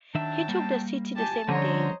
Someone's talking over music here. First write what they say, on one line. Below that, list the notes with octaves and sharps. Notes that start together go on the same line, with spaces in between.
He took the city the same day.
D#3 F#3 D4 E5 G5 A5
G3 A#3
G4 G#5 A5
D3 F3 G3 C#4 C5 C#5 D#5 A#5